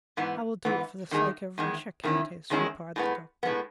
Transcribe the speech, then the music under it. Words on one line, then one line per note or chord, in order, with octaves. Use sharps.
"I will do it for the sake of Russia, countess," replied the doctor.
G#2 E3 B3
G#2 E3 B3
E2 D#3 G#3
E2 D#3 G#3
E2 D#3 G#3 C#4 E4
E2 D#3 G#3 C#4 E4
A2 G#3 B3
A2 G#3 B3